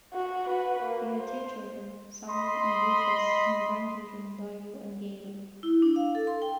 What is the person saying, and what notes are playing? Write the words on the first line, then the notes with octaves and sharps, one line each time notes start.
They had two children, Sonya and Rufus, and grandchildren Dio and Gabel.
F#4
F#4 B4
A#3
C5
D#5 B5 C6
E4
D4
F5
A4
C6
G5